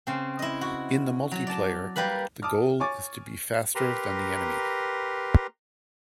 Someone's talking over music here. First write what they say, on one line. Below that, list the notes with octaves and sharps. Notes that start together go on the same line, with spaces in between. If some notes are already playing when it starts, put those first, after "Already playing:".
In the multiplayer, the goal is to be faster than the enemy.
C#3 C4
E4 D#5
F#4
F#3
D5 A5
G3 A#3 B4 B5
A5 D6 D#6 F6
C#5 G#5 C#6 D6 A6
G4 A#4 B4 A#5 C6